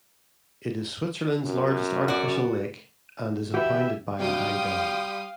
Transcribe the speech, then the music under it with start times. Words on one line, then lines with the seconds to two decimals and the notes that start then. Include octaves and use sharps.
It is Switzerland's largest artificial lake, and is impounded by a high dam.
1.46 F#2
2.08 F#4 D5
3.54 E3 F#4 G4 B4 E5
4.19 C3 F#3 G3 D4 F5 G5 C6 D#6